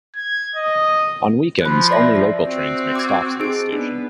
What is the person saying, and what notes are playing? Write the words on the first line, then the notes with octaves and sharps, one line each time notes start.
On weekends, only local trains make stops at this station.
G#6
D#5
F3 B5 F#6
D5 E5 A#6
C4 F#4
D6 G#6
D#4 G#4 D7
B3 D4